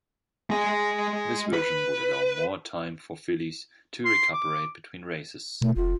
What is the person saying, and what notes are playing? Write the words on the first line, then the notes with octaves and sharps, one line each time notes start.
This version would allow more time for fillies to recuperate between races.
G#3 G#5
B4
C6
D6
B2 A3
F1 F4